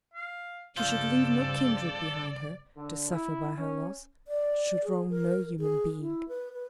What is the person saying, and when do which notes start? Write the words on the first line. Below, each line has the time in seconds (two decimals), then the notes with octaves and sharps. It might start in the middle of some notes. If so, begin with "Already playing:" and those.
She should leave no kindred behind her, to suffer by her loss--should wrong no human being.
0.14 F5
0.77 G2 C#3 F3 C4 A4 D5
2.75 D3
3.11 E4
3.58 C#4
4.28 D5
4.84 G#4
5.10 A#4
5.59 G#4
6.00 E4
6.29 B4
6.53 B4